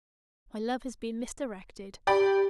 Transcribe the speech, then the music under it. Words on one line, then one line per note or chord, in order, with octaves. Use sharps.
My love has been misdirected.
G4 D5 G5 B5